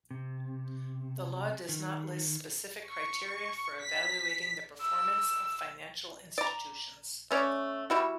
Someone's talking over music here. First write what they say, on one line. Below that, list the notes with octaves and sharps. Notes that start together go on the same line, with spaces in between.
The law does not list specific criteria for evaluating the performance of financial institutions.
C3
D#3
C#6
B6
E6
D5 A#5
A3 C#4 C#5 D5
G3 E4 F#4